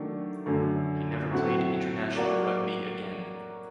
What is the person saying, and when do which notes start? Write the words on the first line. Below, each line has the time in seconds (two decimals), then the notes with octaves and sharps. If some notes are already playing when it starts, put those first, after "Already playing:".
He never played international rugby again.
Already playing: D#3 F#3 A3 D4
0.46 F#2 D3 A3
1.31 A2 F#3 A3 C4 F#4
2.16 F#3 A#3 F#4 A#4 D5